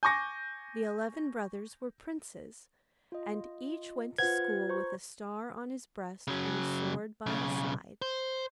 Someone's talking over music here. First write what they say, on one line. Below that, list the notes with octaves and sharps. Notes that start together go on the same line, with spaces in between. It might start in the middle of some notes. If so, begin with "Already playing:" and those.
The eleven brothers were princes, and each went to school with a star on his breast and a sword by his side.
G#5 C#6 D6 G6 A#6
F4 D#5
F4 B4 C5 F#5 G#6
C5 A#5 C#6
C#3 F#3
B1 C#3
C5